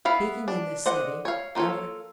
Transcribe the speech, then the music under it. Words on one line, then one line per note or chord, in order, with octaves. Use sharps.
Speaking in this city, Rev.
B3 E4 F5
D4
C5 D5 D#5 F#5
C#5 F5
A#3 F4 F#4 A4 C#5